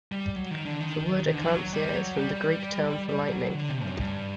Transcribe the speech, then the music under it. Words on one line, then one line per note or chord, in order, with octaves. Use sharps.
The word eclampsia is from the Greek term for lightning.
G3
F#3
D#3
D3
D#3
D#3
D3
D#3
F#3
G3
F#3
G3
G3
F#3
D3
C3
F#2
G2